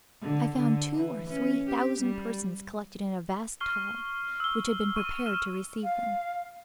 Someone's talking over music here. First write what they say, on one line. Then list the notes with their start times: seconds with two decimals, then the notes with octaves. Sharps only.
I found two or three thousand persons collected in a vast hall which had been prepared to receive them.
0.21 D3
0.55 D3
0.96 E3
1.28 C#4
1.66 G4
2.00 G3
3.60 C#6 F6 C7 G7
4.40 E6 G7
4.96 C#6 D#7
5.26 F6 E7
5.84 F5